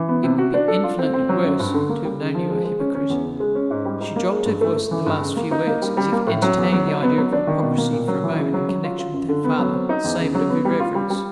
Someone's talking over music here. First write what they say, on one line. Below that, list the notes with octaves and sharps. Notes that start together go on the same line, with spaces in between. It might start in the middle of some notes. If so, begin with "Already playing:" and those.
It would be infinitely worse to have known you a hypocrite.' She dropped her voice at the last few words, as if entertaining the idea of hypocrisy for a moment in connection with her father savoured of irreverence.
Already playing: E3
B3
C3
F#4
D4
A4
F4
C4
C4
F#3
F#2
G2
D3
A#3
G3
C#3
F3
G#3
G#3
C#4
C#4
E2
C#3
G#3
C#4
G#2
G3
D#4
A#3
G#3
G2
A3
A3
E3
G2
C#3
A#3
D#4
A#3
G3
G3
A#3
A2
F#3
E2
F#3
D#4
B3
F#3
D4
D#3
B2
A#3
A#2
F#3
E3
C#3
F#3
F#3
F4
F4
F#2
D3
B3
F#3
C4
D#4
E2
C#3
F#3
B3
G3
F4
G3
G3